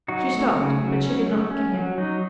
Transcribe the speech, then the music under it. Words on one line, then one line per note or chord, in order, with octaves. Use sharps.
She stopped, but she did not look at him.
F#3 D#4 F#4
A3
C#3
F#3
C#4
A3
C#4
F#3
F#3 D#4